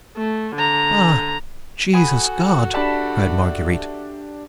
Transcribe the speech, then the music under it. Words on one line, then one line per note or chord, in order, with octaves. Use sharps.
"Ah! Jesus God!" cried Marguerite.
A3
D3 A#5
F#4 A4 G#5 B5 D#6
D4 G4 D5 E5 A5 B5